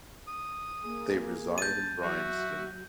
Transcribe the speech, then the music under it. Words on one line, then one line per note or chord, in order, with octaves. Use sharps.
They reside in Bryanston.
D#6
A#3 G#4
A5 G6 D#7
F#3 F#4 E5